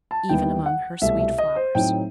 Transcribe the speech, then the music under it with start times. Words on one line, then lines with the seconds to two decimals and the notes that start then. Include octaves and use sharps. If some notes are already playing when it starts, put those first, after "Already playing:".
Even among her sweet flowers.
0.11 A5
0.29 D#2 D#3 G3 B3 E4 G5
0.66 F#5
1.01 C2 B2 A3 E5
1.20 E5
1.38 D#5
1.56 C5
1.75 A2 F#3 C4 D#4 G5